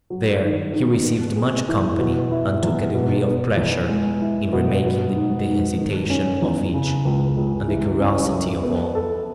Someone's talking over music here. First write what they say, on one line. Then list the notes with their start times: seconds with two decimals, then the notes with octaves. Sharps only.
There he received much company, and took a degree of pleasure in remarking the hesitation of each, and the curiosity of all.
0.10 F#3
0.42 D#3
0.73 D#3
1.05 B3
1.36 G#4
1.68 E3
1.99 B2
2.31 E4
2.63 E2
2.94 B2
3.26 B3
3.57 E2
3.89 G#3
4.21 E4
4.53 B2
4.84 F#3
5.16 G#2
5.48 G#2
5.78 D#3
6.10 C#4
6.42 E2
6.74 C#3
7.05 C#2
7.37 C#2
7.68 E3
8.00 C#4
8.32 F#2
8.63 B3
8.95 A4